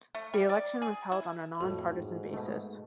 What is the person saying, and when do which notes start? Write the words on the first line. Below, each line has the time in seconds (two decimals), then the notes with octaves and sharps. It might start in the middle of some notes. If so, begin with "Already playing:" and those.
The election was held on a non-partisan basis.
0.15 A3
0.34 G3
0.49 D5
0.82 G#4
1.12 E4
1.61 F2 A2 F#4
1.93 G#2
2.34 B2 A3